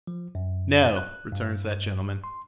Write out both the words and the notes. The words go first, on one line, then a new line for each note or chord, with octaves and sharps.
'No,' returns that gentleman.
F3
F#2
F#6
G2
C6